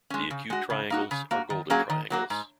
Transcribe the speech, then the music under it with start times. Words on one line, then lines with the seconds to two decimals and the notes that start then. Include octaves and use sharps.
The acute triangles are golden triangles.
0.10 G#3 C#4
0.31 C#3
0.50 G#3 F#4
0.70 C#3
0.90 A#3 D#4 F#4
1.11 C#3
1.31 A#3 F#4
1.50 D#3
1.70 F#3 A#3 C#4 G#4
1.90 D#3
2.10 F#3 A#3 F#4
2.30 G#2